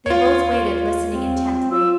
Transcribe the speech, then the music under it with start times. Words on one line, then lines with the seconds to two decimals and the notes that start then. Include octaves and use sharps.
They both waited, listening intently.
0.06 D#2 F4 C#5
1.09 C4
1.71 F4 E6